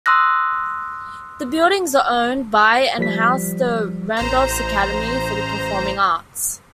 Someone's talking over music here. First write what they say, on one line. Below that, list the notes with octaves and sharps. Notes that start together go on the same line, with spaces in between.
The buildings are owned by and house the Randolph Academy for the Performing Arts.
C6 D#6 E6 F#6 A#6
F3 G3 B6
A1 C5 A#5